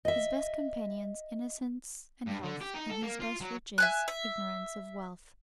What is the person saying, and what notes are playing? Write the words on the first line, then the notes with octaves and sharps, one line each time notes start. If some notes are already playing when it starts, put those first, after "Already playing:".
His best companions, innocence and health, And his best riches, ignorance of wealth.
D#5 E5
G2
D3
G4
D#4
A4
A#3
F4
F#3
E5 G#5 F#6
E5